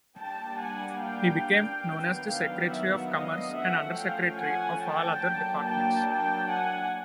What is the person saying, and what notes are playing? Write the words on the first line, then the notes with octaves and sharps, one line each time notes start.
He became known as the Secretary of Commerce and Under-Secretary of all other departments.
G3 A#3 D4 G5 A5
F#5 G#5
F5 G5
D#3 F#3 B3 D4
F5 G5
E5 F#5
D#5 F5
F3 A3 C#4 E5 F#5
F5 G5
F#5 G#5
G5 A5
F#3 A#3 D4
G5 A5
G5 A5
F#5 G#5